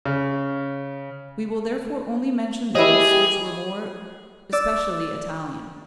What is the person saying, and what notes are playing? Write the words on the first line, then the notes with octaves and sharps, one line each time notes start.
We will therefore only mention those which were more especially Italian.
C#3
E4 G4 G#4 D#5
D5 E6